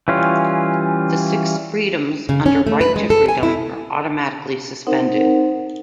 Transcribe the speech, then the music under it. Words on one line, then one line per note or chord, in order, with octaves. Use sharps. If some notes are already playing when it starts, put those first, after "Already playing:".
The six freedoms under Right to Freedom are automatically suspended.
E3 G3 C#4 F4
C#3
C#4
A3
B4
G#3
A4
G#5
E4
C4 D#4 A#4 C5 F#5